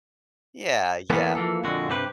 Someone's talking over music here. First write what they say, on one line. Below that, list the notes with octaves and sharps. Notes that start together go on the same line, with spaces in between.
yeah, yeah.
E3 A#3 B3 C#4 A4 B4
E3 F3 A#3 A4
F2 A#2 D3 G#3 F#4
G2 C3 G4 B4